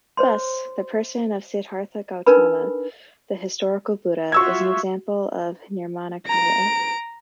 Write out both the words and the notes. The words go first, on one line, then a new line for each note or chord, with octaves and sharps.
Thus, the person of Siddhartha Gautama, the historical Buddha, is an example of nirmanakaya.
C5 C#5 C6
D4 D#4 A#4 B4 B5
F4 F#4 E5 C#6 E6 G#6
A#5 D7